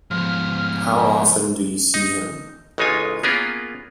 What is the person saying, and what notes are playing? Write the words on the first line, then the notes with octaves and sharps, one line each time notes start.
How often do you see him?
G#2 F3 B3 F6
D#4
A1 C#3 G#3 D#4 F4 G#5
A#3 B3 C#4 F4 G#4 A#4